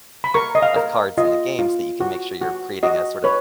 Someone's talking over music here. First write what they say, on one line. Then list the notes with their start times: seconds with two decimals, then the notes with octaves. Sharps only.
of cards in the game so that you can make sure you're creating a sort of
0.24 B5
0.34 A#4 C#6
0.55 D#5
0.63 F5
0.76 A#4
1.18 F4 D#5
1.59 F4
2.00 F#4
2.41 F#4
2.83 F#4 D#5
3.24 B4 C#5